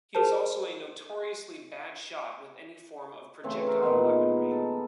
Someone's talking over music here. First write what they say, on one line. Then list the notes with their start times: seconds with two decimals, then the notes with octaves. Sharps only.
He is also a notoriously bad shot with any form of projectile weaponry.
0.15 G#4 A#4 C5 A5
3.43 C#3 E3 A3 C4
3.67 A#4 C5
3.83 A#2 D#3 G#3 B3
4.51 A4